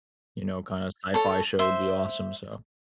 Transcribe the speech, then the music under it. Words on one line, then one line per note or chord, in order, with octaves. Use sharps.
you know, kinda sci-fi show would be awesome, so.
A4 C#5 A5
C5 E5